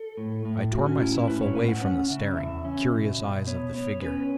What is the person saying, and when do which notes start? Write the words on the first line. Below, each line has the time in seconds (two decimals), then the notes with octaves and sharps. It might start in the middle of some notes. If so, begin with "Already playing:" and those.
I tore myself away from the staring, curious eyes of the figure.
Already playing: A4
0.17 A2
0.45 A2
0.73 A2 F#4
0.86 C#4
1.00 C#4 E4
1.14 E4
1.28 A2 B4
1.41 C#5
1.55 A2 B4
1.68 F#5
1.82 C#4 F#5
2.10 C#3 E5
2.37 E2 E5
2.65 C#4
2.92 B2
3.20 B2
3.47 B3 C#5
3.75 B3 C#5
4.02 C#4 B4